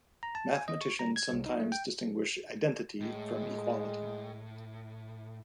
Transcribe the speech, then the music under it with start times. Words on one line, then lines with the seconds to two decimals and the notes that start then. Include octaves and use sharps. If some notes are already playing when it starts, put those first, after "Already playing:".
Mathematicians sometimes distinguish identity from equality.
0.23 A#5
0.35 A5
0.54 G#5
0.68 D#5
0.81 C#6
0.99 A#5
1.16 G#6
1.33 C2
1.46 D#4
1.60 A3
1.72 G5
3.00 A2 G#3